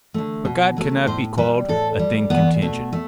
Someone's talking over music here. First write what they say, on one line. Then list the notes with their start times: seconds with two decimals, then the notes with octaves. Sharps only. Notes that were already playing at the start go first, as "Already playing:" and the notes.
But God cannot be called a thing contingent.
0.14 D3 A3
0.45 B2
0.77 F#3 A3
1.06 A2 C5
1.38 G3 B4
1.68 A2 A4
1.99 G3
2.30 E2 B3
2.62 B2 A3
2.93 A3